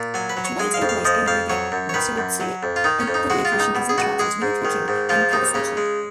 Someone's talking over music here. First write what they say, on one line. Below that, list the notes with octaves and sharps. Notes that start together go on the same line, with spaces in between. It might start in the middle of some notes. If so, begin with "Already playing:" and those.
Trains operate over the Joetsu and Tohoku Shinkansen tracks between Tokyo and Takasaki.
Already playing: A#2
F#3 G#5
B4
F#3
C#5
G#3 G#5
F5
F2
F5
F3 D#5
F2 F5
F#3 C#5
F#2
C#5
D#3 B4
F#2
F#3
F2
F4
D#3 D#4
C#4
F2
D#4
G#3 F#4
F4
C#2
D#4
B2
G#4
C#2 F#4
G#3 G#4
G#2
D#3
G#2
F3 F4
D#2 D#4
C#3 C#4
G#3